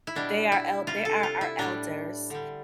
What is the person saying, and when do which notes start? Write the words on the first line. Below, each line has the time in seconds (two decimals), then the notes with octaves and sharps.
they are el they are our elders,
0.07 E4
0.15 B2 G3 D4
0.52 E4
0.87 C3 G3 F4
1.05 A4
1.23 F4
1.41 E4
1.58 A2 G3 D4
2.30 D3 G3